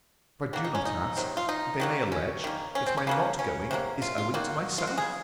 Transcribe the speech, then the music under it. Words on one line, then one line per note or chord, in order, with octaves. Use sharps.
But, if I do not ask, they may allege, that my not going is owing to myself.
D#3 A#3 F#4
D#4
C#4
D#4
C3 D#3 F#3
F4
D#4
D#3 F#3 A#3
C#4
D#3 A#3
C#4
C4
C#4
C#3 F#3 A#3
C#4
C3 F#3 A#3
F4
F4
D#3 F#3 A#3 F#4
F4
F#4
C#3 G#3 G#4